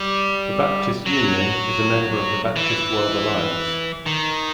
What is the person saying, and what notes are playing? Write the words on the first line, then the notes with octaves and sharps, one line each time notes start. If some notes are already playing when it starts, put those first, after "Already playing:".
The Baptist Union is a member of the Baptist World Alliance.
Already playing: G3
F#3
E3
D#3